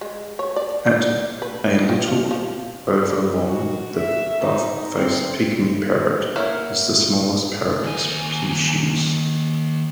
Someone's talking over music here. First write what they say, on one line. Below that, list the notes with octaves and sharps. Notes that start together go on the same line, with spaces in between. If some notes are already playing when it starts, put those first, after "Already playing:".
At a little over long, the buff-faced pygmy parrot is the smallest parrot species.
G#3
C#5
D5
D4
B4
G5
F4
F3
F#4
E5
D#4
C4
A#3 E4 C#5 F5 F#5
D#2 G#5